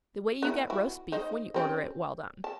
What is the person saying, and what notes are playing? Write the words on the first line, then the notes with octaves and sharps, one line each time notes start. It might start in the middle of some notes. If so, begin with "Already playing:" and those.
The way you get roast beef when you order it well done.
B3 D#4 E4
E4 F#4
D#4 C5 D#5
G3 C4 C#4
A5